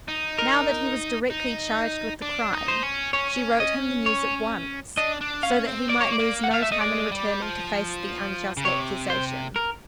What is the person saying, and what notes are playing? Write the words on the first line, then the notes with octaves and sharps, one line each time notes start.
Now that he was directly charged with the crime, she wrote him the news at once, so that he might lose no time in returning to face the unjust accusation.
D#4
A#4
D#4
D4
D#4
C5
C#4
C#4 C#5
D#5
C#5
D4 D#5
D4
C#4 F5
C4
A#3 D5
C#5
D5
A#3
F#5
A3 F5
E5
A3 D#5
G#3 D5
G3
F3
C#3
C3 C#5
C5
A#4